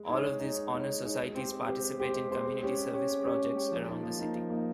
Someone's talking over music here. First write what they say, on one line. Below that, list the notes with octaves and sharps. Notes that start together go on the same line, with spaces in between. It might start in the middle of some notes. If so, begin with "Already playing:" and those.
All of these honor societies participate in community service projects around the city.
Already playing: G#3
D#4 G#4 C#5
G#3
D#4 G#4 C#5
G#3
D#4 G#4 C#5
G#3
D#4 G#4 C#5
G#3
C4 G4 C5
G#3
C4 G4 C5
G#3
C4 G4 C5
G#3
C4 G4 C5
G#3
C#4 G4 C#5
G#3
C#4 G4 C#5
G#3
C#4 G4 C#5
G#3
C#4 G4 C#5
F3
A#3 D#4
F3
A#3 D#4
F3
A#3 D#4